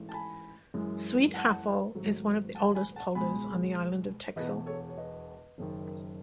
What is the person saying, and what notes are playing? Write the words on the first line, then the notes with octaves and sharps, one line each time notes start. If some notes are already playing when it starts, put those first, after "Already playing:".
Zuid Haffel is one of the oldest polders on the island of Texel.
Already playing: A1 G#2 E3 A3
A5
G#5 B5
F#2 E3 G#3
F#5 A5
G#1 G#2 F#3 A3
F#5 A5
G#5 B5
F#5 A5
C#2 B2 G#3 G#5 B5
E1 E2 B2 B4 D#5
A4 C#5
C#5
B4 D#5
F#1 F#2 D#3